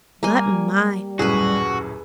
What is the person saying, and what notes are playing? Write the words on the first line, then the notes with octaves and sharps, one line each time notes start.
But, my!
G3 A#3 G#5
D#1 F#2 A2 F#4 G#4 B4